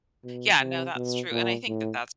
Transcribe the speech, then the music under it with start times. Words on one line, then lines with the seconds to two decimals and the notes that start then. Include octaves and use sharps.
Yeah, no, that's true, and I think that that's p
0.24 B2
0.59 C3
0.95 B2
1.31 A#2
1.67 A2